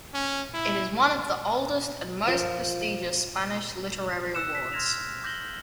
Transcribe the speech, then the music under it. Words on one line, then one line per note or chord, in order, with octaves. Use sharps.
It is one of the oldest and most prestigious Spanish literary awards.
C#4
E4
F3 A#4 G5 D6
E6 F#6 C#7 E7
B6
C6 F6 G#6 A#6 E7 F7
D6 G6 A#6 F#7 G7